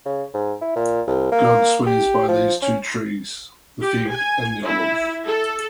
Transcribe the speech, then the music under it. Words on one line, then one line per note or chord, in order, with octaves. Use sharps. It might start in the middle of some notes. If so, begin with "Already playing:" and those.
God swears by these two trees, the fig and the olive.
C#3
G#2
E4
A#2
C2
A#3
G4
F3
C#4
G4
G#5
E4
A4